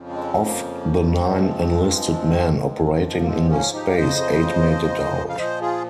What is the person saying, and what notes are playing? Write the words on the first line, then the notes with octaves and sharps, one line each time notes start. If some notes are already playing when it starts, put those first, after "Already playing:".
Of the nine enlisted men operating in the space, eight made it out.
Already playing: F2 C#3 F3
G#3 C4
A#3
G2 F3 G#3 C4
G#2 F3
G#3
A#3
G#3 C4
A#3 C#4
D#4 G4
F5
F2 C#3 F3 C5 D#5
F5
A#2 F3 C5 D#5
F4 G#4